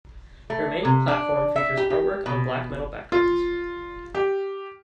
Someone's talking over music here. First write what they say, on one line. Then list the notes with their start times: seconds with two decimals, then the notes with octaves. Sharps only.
The remaining platform features artwork on black metal backgrounds.
0.50 A3
0.85 C3
1.08 D4
1.56 E5
1.77 G4
1.90 G4
2.26 B2
3.12 F4
4.14 G4